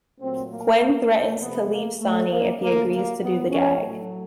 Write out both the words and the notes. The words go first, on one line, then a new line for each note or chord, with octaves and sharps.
Gwen threatens to leave Sonny if he agrees to do the gag.
A#2 F#3 A3 C4
A#3
C3 F3 A3 B3
A#3
A3
A#3
D3 F#3 A3 A#3
A#3
B3
C#4
A2 F#3 A3